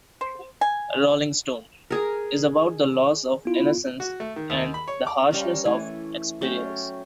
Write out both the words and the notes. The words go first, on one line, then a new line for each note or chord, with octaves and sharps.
'Rolling Stone' is about the loss of innocence and the harshness of experience.
C5
G#5
G#4 A#4
B3 E4 F4
F#4
A3
D#3
D#2
B5
C#5
D6
G3 C#4 A#4
E3 A3 G#5
F#3 A3 C#4 G5